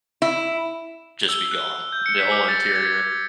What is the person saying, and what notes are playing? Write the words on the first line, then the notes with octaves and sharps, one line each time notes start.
just be gone, the whole interior.
E4
E6
F#6
G6
C#7
B6
D6
A6
G#6